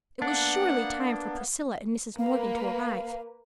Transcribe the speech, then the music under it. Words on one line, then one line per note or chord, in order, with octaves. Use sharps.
It was surely time for Priscilla and Mrs. Morgan to arrive.
A#3 B3 D4 F#5
A#3 B4 F5